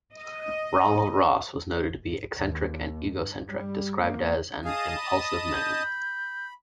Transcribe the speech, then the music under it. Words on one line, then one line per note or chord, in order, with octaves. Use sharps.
Ronald Ross was noted to be eccentric and egocentric, described as an "impulsive man".
D#5
D#2
G2
G3
A#3
G#4 D#5 F5 A5 D#6
B5
G6